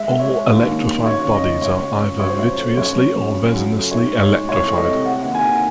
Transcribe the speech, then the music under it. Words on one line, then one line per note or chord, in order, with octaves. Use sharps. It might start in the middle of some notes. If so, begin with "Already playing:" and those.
All electrified bodies are either vitreously or resinously electrified.
Already playing: G#3 E5
G#3
C#5
G#3
D#2
D#2
D#3
C#2 C#5
C#3
D#5
C#2
C#2 C#5
C#2
C#2
F#3 C#5
C5
C#2 C#5
A3
F#2 C#5
F#2
F#2
C#2
F#3
A3
G#2 C#5
G#2
C#5
G#3
C2 C#5
A3
D#5
C3
A3 F#5
D#2
G#5
D#2